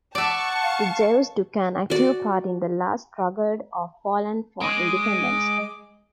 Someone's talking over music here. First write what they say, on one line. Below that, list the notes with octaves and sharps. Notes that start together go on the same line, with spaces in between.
The Jews took an active part in this last struggle of Poland for independence.
D5 E5 F#5 A5 C#6
F5
F#4 D5
G#3 D#5 D6